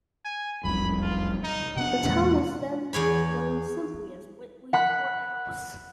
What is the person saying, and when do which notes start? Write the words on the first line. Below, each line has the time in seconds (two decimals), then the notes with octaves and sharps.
The town was then known simply as Whitley Courthouse.
0.25 G#5
0.64 F1 C2 F#2 B5
1.02 F4
1.43 D#4
1.76 C3 B3 D4 F#5
2.07 E2 A#2 G#3
2.93 E2 G#4 C#5 B5
4.73 F#5 B5 F#6